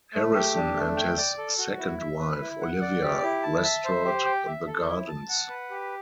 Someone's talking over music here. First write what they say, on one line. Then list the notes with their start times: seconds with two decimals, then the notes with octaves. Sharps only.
Harrison and his second wife Olivia restored the gardens.
0.14 A3
0.35 G4
0.55 D4
0.76 A3
0.96 G5
1.17 D5
1.38 A4
1.58 F#4
1.79 E4
1.99 E5
2.20 B4
2.41 E4
2.61 F#5
2.82 D5
3.03 G4
3.23 E4
3.43 A5
3.64 E5
3.85 C5
4.05 G4
4.25 G5
4.47 E5
4.67 A4
4.87 E4
5.08 A5
5.29 F#5
5.49 B4
5.70 G4